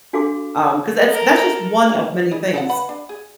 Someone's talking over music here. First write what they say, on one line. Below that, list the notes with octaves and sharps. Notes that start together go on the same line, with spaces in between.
um 'cause that's that's just one of many things.
D4 F#4 A4 F5 C6 D6
A4 A#4
A#3
G3 G#4 D#5
A4 A#4 F#5
B4 F#5 B5
D4
G#4